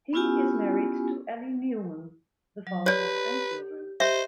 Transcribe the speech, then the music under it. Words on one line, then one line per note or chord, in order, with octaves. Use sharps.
He is married to Ali Neeleman the father of ten children.
B3 C#4 E4 F4 G4 G#5
F#3
G4 B4 C#5 D5
G4 C5 D#5 E5